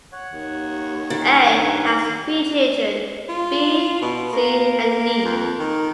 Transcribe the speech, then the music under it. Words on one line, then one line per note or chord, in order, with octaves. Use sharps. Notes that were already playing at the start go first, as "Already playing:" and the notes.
"A" has three children, "B", "C", and "D".
C#5 F#5
D#2
D#3
G2
B4 C#5
F4
B2
A#3
F2
D#3